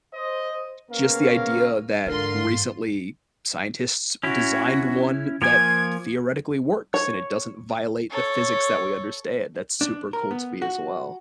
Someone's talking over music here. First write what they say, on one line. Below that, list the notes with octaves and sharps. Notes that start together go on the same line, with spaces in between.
just the idea that recently scientists designed one that theoretically works, and it doesn't violate the physics that we understand, that's super cool to me, as well.
C5 D#5
C#3 A#3 B3 C#4 A#4 F5
G#2 D3 E3 F4 A#4 C6
C#4 E4 F#4
F3 A#3 G#5 G#6
C#5
A4 C#5
D4
A#4
B3
F#4